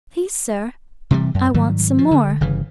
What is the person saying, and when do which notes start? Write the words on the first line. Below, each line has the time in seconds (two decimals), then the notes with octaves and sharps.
'Please, sir, I want some more.'
1.11 C3 E3 F#3 G3
1.34 F#2
1.54 G#2 D#3 F#3 G3
1.98 F3
2.11 D3
2.41 G1 C#3 E3